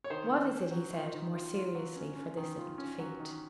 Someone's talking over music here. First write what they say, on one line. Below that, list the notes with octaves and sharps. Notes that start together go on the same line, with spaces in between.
"What is it?" he said, more seriously for this little defeat.
C#5
D#3 C5
D#3
C#4
F#3
F4
D#3
F4
F4
F#3
C#4
C#4
D#3
F4
C#4
F#3
D#3